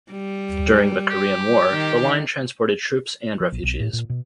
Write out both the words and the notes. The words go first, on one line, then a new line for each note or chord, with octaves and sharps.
During the Korean War, the line transported troops and refugees.
G3
G4
D#3
F3
A#1
B1
A2
A#2
B2